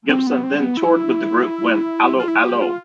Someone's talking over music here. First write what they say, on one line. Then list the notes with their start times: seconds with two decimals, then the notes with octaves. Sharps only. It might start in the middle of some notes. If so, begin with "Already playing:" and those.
Gibson then toured with the group when 'Allo 'Allo!
0.09 C4
0.27 B3
0.43 C4
0.60 B3
0.77 E4
2.20 F4
2.28 E4
2.44 G4
2.62 F4